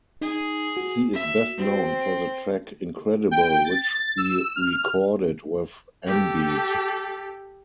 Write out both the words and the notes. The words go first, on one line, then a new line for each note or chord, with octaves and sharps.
He is best known for the track "Incredible" which he recorded with M-Beat.
D#4 G#4
F#4
E5
C4
G5
A6
E6
F6
G4 A4